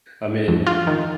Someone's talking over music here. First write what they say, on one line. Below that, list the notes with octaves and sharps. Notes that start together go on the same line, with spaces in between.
I mean,
F2
F4
D#3